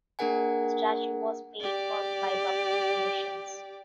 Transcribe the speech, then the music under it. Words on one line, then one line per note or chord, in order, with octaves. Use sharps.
The statue was paid for by public donations.
A#3 D4 G#4 A#4 F#5 G#5
G4 D5